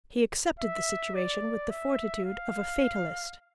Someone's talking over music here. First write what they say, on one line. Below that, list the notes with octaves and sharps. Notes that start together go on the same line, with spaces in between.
He accepted the situation with the fortitude of a fatalist.
E5
D5
E5
F5